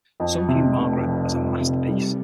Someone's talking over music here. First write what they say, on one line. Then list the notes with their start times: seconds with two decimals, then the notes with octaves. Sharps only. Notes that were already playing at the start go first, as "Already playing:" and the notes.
Some view "Margaret" as a masterpiece.
0.20 F2
0.48 C3
0.77 F1
1.05 F3
1.33 F2
1.61 C3
1.89 G3